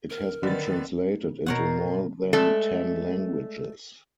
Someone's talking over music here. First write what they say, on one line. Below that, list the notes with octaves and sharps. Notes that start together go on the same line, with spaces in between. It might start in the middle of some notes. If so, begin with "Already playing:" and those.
It has been translated into more than ten languages.
A#4
D3 D#3 B4 A6
B2 A#4 C#5 F#5
G#3 A3 A4 D5